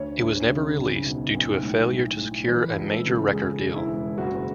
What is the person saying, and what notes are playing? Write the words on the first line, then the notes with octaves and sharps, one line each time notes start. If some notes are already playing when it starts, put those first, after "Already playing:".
It was never released due to a failure to secure a major record deal.
Already playing: D2 C#5
D2
C#3
B1
B2
B1
A2
A2
A2
E3 B4
C#2
A4
C#3
E1 G#4
E1
E4
E1
F#1 F#4